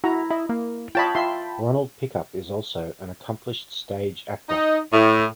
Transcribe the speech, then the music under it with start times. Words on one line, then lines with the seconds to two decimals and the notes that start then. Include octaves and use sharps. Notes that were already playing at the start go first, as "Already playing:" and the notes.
Ronald Pickup is also an accomplished stage actor.
0.04 E4 F#4 A#5
0.30 E4 D#5
0.49 A#3
0.95 F4 C#5 D#5 G5 A5 B5
1.15 F4 E5 C6
4.48 D#4
4.92 A2